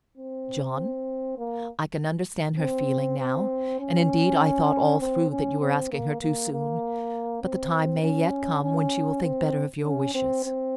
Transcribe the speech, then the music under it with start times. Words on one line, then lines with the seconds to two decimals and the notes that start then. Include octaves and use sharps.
"And, John;--I can understand her feeling now; and indeed, I thought all through that you were asking her too soon; but the time may yet come when she will think better of your wishes."
0.17 C4
1.38 A#3
2.58 C4
3.19 C4
3.80 C#4
5.00 C4
5.31 C#4
5.60 C4
5.92 A#3
6.22 A#3
6.52 A#3
7.42 C4
8.02 C#4
8.62 C#4
9.23 C4
9.83 C#4
10.15 C4
10.45 C4